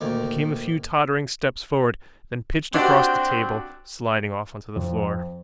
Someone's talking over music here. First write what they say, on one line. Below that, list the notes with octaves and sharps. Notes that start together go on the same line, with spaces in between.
He came a few tottering steps forward, then pitched across the table, sliding off onto the floor.
D2 A#2 D#3 D6
C4 D4 F#4 G4
F2